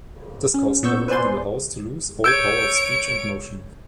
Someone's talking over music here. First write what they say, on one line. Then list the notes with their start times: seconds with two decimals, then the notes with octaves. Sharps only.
This caused everyone in the house to lose all power of speech and motion.
0.54 C#4
0.83 A#2 B3 C#6 E6 G6
1.08 B4 C5 D5 G#5 C6
2.24 C#5 E6 G6 G#6 D7